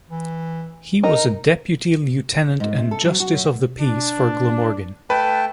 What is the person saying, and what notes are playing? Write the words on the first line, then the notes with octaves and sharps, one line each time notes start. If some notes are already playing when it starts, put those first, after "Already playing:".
He was a Deputy Lieutenant and Justice of the Peace for Glamorgan.
E3
D#4 A#4
G#2
C3
A4
F#3
F#4
F#2
D4
A3 B4 G5 A5